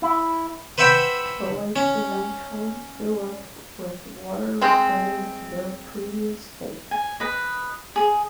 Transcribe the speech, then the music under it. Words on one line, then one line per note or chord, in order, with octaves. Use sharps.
The lakes eventually fill up with water returning to their previous state.
E4
B4 C5 E5 F#5 G5 B5
C#4
G#3 C4
G#5
B4 D#5
G#4